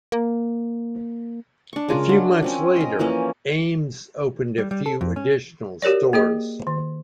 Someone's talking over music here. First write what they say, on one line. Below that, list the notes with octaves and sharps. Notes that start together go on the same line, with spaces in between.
A few months later, Ames opened a few additional stores.
A#3
D4 C#6
C#3 G#3 F4 A#4
F#3 D4
F3 C4 C#4
A#4 D#5
E3 F3 A#3 C#4
G3
G3
A4
F2
C#4
F#4 G4 A#4 C#5 D5
A#3 F#4 G#4 D#5
D#3